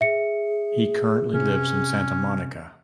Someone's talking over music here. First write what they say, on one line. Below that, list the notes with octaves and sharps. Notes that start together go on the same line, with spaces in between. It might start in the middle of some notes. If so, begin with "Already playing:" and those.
He currently lives in Santa Monica.
G#4 E5 C#7
C3 C#4